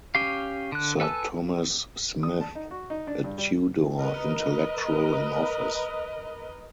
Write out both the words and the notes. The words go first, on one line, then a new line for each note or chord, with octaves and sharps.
Sir Thomas Smith: A Tudor Intellectual in Office.
C#4 G4 F5
D3 F#6
A4 B4 G#5 A5 E6
D#6
A5
D#4
F#4
D#4
D4
G2
G3
A#4 B4 D#5